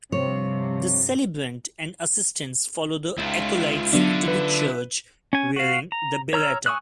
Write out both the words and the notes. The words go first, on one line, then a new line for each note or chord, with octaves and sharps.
The celebrant and assistants follow the acolytes into the church wearing the biretta.
G2 C3 F3 C4 C#5
C#2 E4 F4
D3 F#3 B3 D4
B4
C#4 G#5
F#4 F5
A#5
C#5 A#5 E6 F6
G#5 C#6 D#6 E6 F#6